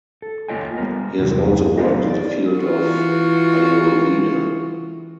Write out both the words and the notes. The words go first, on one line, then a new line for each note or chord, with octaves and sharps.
He has also worked in the field of Ayurveda.
A4
A#3 F4 C#5 D#5 G5 G#5
G3 B3 A#4
E2 G2 C3 E3 F#3
F#3 A3 B3 C#4 F4 D#5
D5
E3 F4 F#4